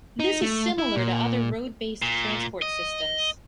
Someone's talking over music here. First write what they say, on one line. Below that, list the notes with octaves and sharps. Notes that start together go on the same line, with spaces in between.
This is similar to other road-based transport systems.
D#4
A3
E4
A#2
A#2
D#5